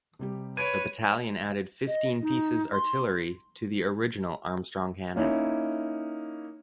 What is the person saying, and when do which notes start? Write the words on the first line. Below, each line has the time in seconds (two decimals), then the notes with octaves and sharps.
The battalion added fifteen pieces artillery to the original Armstrong cannon.
0.19 C3 G3 G4
0.57 B4 C#5 G#6 D7 D#7
1.87 D#5
2.22 D#4
2.72 C6
5.16 A#3 C#4 D#4 E4